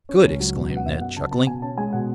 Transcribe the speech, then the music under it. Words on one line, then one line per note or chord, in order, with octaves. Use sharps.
"Good!" exclaimed Ned, chuckling.
C#4
C#2
F#3
B2
B3
F#5
F#2 E5
F#3 F#5
C#3 A5
B3 A5
B2 G#5
C#4 A5
G#3 G#5
B2 F#5